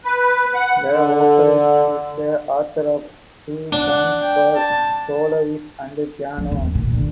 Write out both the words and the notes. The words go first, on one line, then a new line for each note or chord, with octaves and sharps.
The vocalist is the author of two songs for soloist and piano.
B4
F#5
D3
D4 F#5
G5
A5
F3
D#2
A#2
D3